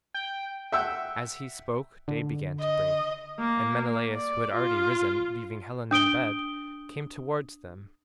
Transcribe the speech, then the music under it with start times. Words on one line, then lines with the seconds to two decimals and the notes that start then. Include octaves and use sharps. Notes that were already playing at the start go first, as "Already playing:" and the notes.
As he spoke day began to break, and Menelaus, who had already risen, leaving Helen in bed, came towards them.
0.14 G5
0.72 E5 F#5 G5 E6
2.08 D3
2.61 D#5
3.39 A#3
4.15 D5
4.53 F4
5.91 D4 D#6 D7 G7